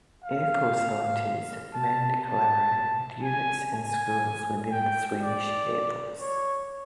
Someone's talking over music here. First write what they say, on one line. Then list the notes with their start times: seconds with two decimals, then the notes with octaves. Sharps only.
Air Force Volunteers mainly collaborate with units and schools within the Swedish Air Force.
0.24 F5
1.74 A5
2.23 A5
3.22 G#5
3.73 G#5
4.71 G5
5.21 D5
6.20 C#5